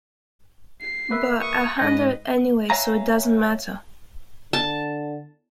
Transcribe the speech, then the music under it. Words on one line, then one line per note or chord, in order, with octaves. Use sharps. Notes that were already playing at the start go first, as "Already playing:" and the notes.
But I'll handle it anyway, so it doesn't matter.
C7
A#3 B4 E5
C#6 D#6
G#2 B4 D#5 A#6
B4 C#5 E5 F5 G#5 A#5
D3 A5